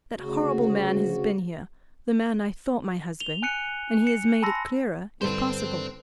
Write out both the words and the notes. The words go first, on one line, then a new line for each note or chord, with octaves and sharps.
That horrible man has been here--the man I thought my husband--and he has made it clearer, if possible.
D2 C#3 F#4
F7 G7
G#5 F#6 C#7 D#7
C#7
G#5 A5 B5 C6 E6 A#6
G2 D3 C4 C5